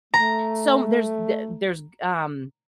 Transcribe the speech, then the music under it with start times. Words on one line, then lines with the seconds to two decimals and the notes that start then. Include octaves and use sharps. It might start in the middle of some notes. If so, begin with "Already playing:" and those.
som there's the there's, um,
0.14 A3 A#5